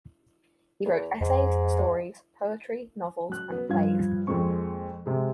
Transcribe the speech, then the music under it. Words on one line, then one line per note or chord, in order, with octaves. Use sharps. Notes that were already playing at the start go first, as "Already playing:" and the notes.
He wrote essays, stories, poetry, novels and plays.
E2
F2 G#2
F#3 F#6
F#3 B3
G2 F3 F5 G#6
F2 A#2 G#3 C4 C#6
C3 G#3